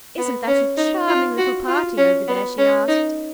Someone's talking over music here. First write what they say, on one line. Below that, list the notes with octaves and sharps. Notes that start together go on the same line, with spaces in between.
"Isn't that a charming little party over there?" she asked.
B3
C#4
D#4
F4
F#4
F4
C#4
B3
C#4
D#4